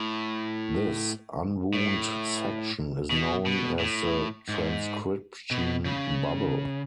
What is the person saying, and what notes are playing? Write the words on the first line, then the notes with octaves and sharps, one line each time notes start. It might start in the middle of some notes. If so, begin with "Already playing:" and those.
This unwound section is known as the transcription bubble.
Already playing: A2
A2
B2
B2
A2
G#2
B2
C#3